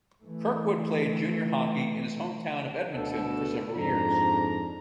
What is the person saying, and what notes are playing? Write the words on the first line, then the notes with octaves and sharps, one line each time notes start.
Kirkwood played junior hockey in his hometown of Edmonton for several years.
E3 A3
D2 B2 A4
F2 G#2 D4 A#5